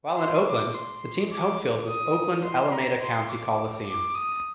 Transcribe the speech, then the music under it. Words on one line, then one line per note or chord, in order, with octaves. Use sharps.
While in Oakland, the team's home field was Oakland-Alameda County Coliseum.
C6
D6
C6
D6
D#6
C6
A#5
C6
D6
D6
D#6